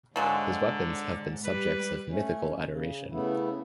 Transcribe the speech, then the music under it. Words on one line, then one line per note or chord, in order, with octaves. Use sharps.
His weapons have been subjects of mythical adoration.
G#2 D3 F3 F#3 G#3
G3 B4
A3 C#4
C#3
C#3 A3 B3 E4